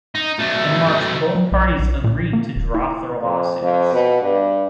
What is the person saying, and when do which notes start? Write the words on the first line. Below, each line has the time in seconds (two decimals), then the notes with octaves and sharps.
In March both parties agreed to drop their lawsuits.
0.15 D#4
0.39 B1 A3
1.35 F#3
1.52 B1
1.79 B1
2.04 A#2
2.33 A#3
2.56 D#1
2.74 E4
3.21 F2
3.62 F2
3.93 B2
4.22 G2